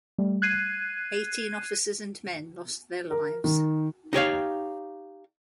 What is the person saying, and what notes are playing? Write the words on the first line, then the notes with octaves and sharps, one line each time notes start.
Eighteen officers and men lost their lives.
G3 A3
F#6 G#6 C7 D#7
A#4
D#3
D#4 G4 C#5 F5